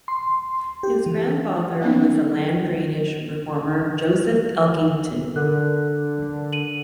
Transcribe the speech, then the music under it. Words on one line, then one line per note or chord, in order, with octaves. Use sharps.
His grandfather was the land drainage reformer Joseph Elkington.
C6
G4
E3
F#3 A#3 B3 C#4 D#4
D3 A#4 F#6
D#7 F#7